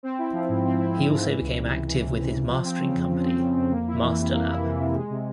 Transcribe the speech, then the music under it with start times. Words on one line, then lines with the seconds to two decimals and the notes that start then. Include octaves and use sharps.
He also became active with his mastering company, Masterlab.
0.03 C4
0.18 E4
0.33 F3
0.49 G#2
0.65 C4
0.79 E4
0.95 F3
1.10 G#2
1.26 E3
1.40 C#2
1.57 C3
1.72 C#2
1.87 E3
2.03 C#2
2.18 C3
2.33 C#2
2.48 F3
2.64 C4
2.79 C#3
2.95 F2
3.10 F3
3.25 C4
3.41 C#3
3.57 F2
3.71 A#3
3.87 E4
4.03 E3
4.19 C3
4.33 A#3
4.49 E4
4.64 E3
4.79 C3
4.95 G#3
5.10 C3